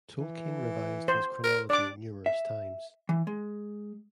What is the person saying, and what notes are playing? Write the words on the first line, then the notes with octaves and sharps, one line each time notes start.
Tolkien revised his chronology numerous times.
E3
C5
A#4
D4 D5 D6
E5
E3
G#3